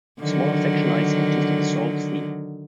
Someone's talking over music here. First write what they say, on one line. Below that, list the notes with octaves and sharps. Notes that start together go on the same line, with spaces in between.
A smaller section lies southeast of Sault Ste.
D3 D#3 F#3